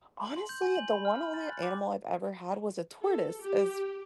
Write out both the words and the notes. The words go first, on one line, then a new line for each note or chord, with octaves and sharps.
Honestly, the one only animal I've ever had was a tortoise, as
F#7
C6
G6
G#5
F#7
B5
F6
C6
A6
F#6
D6
A4
G4